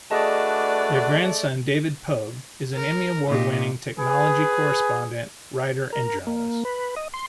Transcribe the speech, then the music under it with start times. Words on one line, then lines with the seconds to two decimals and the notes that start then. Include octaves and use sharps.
Their grandson David Pogue, is an Emmy award-winning technology correspondent, writer and journalist.
0.11 A3 D4 F#4 G#4 B4 D5 D#5 A5
2.74 A#4
3.27 A#2 D#4 G4
3.98 G#4 B4
5.93 A#4
6.27 A#3
6.65 B4
6.96 D#5
7.14 C6